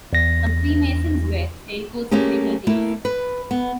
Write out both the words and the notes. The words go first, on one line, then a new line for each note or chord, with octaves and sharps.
Some Freemasons wear tailcoats to their meetings.
E2 A#6
A3 A#3 C#4 G4 G#4
A3 A#3 E4
B4
B3